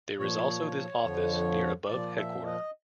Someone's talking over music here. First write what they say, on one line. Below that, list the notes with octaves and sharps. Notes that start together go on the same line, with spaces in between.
There is also this office near above headquarter.
A#2 F3 C#5
F2 D3 F3
A#2 F3 D5
E5
D#5